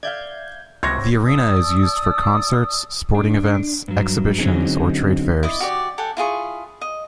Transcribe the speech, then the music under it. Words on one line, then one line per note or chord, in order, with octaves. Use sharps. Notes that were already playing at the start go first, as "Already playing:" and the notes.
The arena is used for concerts, sporting events, exhibitions or trade fairs.
D5 E5 F5 G6 G#6
C#2 C3 F#3 G3 C5 C#5 G#6 A#6
D5 A5 D#6 E6
D4
G2 F#3
D3 F#3 C4 C#4 D#4 G#4
E4 D5 D#5
F#4 G4 D5
G4 A4 F#5 G#5
E4 F4 G#4 C#6
D#5